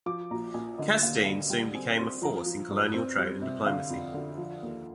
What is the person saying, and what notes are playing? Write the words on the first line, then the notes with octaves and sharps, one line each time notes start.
Castine soon became a force in colonial trade and diplomacy.
F3 D6
A#1 A#5
A#1 G#5
D3 D#5
D#2 F5
D3 F5
G3 G5
C4 G#5
C4 C6
F3 A#5
F3
G2
C4
G3
C3
D3 F5
F2
D3
F3
D#2